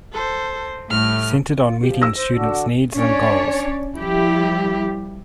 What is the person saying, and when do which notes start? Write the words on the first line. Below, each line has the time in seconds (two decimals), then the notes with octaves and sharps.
Centered on meeting students needs and goals.
0.12 A4 C5
0.90 A2 G3 A3 F6
1.61 F4
1.83 F3 G4
2.02 E6 A#6
2.16 C5
2.34 D3 D4 F#4
2.93 C#4 D4 C#5 D5
3.97 F3 G3 E4 G4